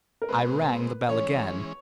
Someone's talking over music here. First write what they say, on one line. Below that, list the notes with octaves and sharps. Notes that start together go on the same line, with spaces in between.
I rang the bell again.
A#4
B2 G#3 C4 B4
E3 G#3 C#4 C#5